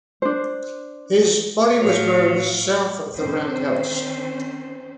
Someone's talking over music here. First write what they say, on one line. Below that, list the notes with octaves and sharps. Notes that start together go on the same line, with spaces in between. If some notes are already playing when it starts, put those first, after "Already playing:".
His body was buried south of the Round House.
D4 C5
A2 F3 F#3 F5
D#3 C4 C#4 C5